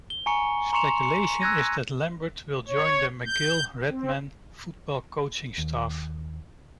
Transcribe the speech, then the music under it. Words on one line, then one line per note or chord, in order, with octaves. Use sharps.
Speculation is that Lambert will join the McGill Redmen Football coaching staff.
G7
G#5 A#5 C#6 C#7
A#5 C6 C#6 C#7 E7 F7
C#7
E6 F#6 G#6 A#6 D#7
C#5
G6
C4
D#2